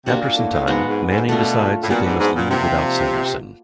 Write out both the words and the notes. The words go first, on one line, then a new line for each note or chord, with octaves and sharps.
After some time, Manning decides that they must leave without Sanderson.
C3 A#3 D4 F#4
A#2
A2
A2
G#2 G#3 B3 D#4 F#4
G#2
G#2
B2 A3 D4 F4 A#4
A2
A#2 F#3 B3 D4 F#4
G#2
G#2
A#2
C3 F3 A#3 D4